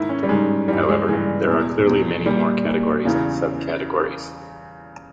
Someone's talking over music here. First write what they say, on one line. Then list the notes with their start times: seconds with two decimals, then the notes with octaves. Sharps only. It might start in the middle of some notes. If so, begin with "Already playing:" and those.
However, there are clearly many more categories and sub-categories.
Already playing: G#2 D#3 E4
0.09 C#4
0.23 G3
0.29 G#2 D#3 G#3
0.68 G2 E3 G3
0.89 G#3
1.08 G2 E3 G#3
1.48 E2 B2
1.87 E2 B2
2.26 A#2 G3
2.65 A#2
3.05 E2 C#3 E3